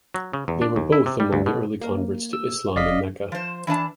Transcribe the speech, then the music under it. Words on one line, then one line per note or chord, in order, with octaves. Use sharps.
They were both among the early converts to Islam in Mecca.
F#3
C#3
E2
D4
D#2
E4
C3
G3
D2
B2
A#3
E6
F#1 D5 D#5 F5 B6
F3 C5
E3 D4 D#5 A5